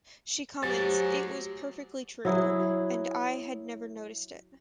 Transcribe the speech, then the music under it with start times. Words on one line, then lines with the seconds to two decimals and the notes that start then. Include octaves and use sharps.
She comments It was perfectly true; and I had never noticed it.
0.63 F#3 G4 C5 G#5 A6
2.25 F#3 E4 G#4